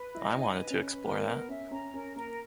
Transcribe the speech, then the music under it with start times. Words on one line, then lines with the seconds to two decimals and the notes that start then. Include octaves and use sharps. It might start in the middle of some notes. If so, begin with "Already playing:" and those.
I wanted to explore that.
Already playing: B4
0.15 E4 D#5
0.37 D#4 G#5
0.59 B4
0.71 C#4
0.81 B4
1.04 A#3 A#4
1.26 B3 A#4
1.49 C#4 E5
1.71 C#4 A#5
1.94 C#4 A#4
2.16 A#3 A#4